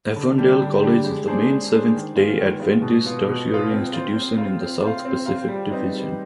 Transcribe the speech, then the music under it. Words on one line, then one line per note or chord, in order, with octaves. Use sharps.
Avondale College is the main Seventh-day Adventist tertiary institution in the South-Pacific Division.
D3
G3 D4 G4
D3
G3 D4 G4
G#3
D4 G#4 C5
G#3
D4 G#4 C5
D#3
G#3 B3 F4
D#3
G#3 B3 F4
B2
B3 F4
B2
B3
F4
C4
F4 C5
C4
F4 C5
C4
F4 C5 F5
C4
F4 C5 F5
G3
C4 D#4 B4 D#5
G3